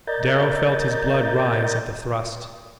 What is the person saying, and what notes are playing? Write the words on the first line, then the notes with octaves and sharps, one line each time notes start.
Darrow felt his blood rise at the thrust.
A#4 D5 D#5 A#5 G6 A6